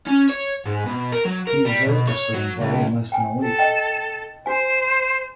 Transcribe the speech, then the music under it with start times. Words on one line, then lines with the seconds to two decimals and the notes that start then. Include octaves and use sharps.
Hughes wrote the screenplay in less than a week.
0.07 C#4
0.30 C#5
0.65 G#2
0.86 B2
1.12 A#4
1.25 F#3
1.47 A#4
1.65 G3
1.86 B2
2.07 C#5
2.35 F#3
2.61 C#2
3.12 G5 G#5
3.39 A4
3.59 D#5 G5
4.46 F#4 C5 G#5